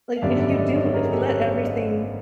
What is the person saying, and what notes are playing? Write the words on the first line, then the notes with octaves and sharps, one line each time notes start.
like if you do if you let everything
F5
G#1 F#2 D3 G3 B3 D5 E5
D5 E5
D#5
D5 E5
C#5 D#5
G#4 A#4
G4 A4
B4 C#5
C5 D5
D#5 F5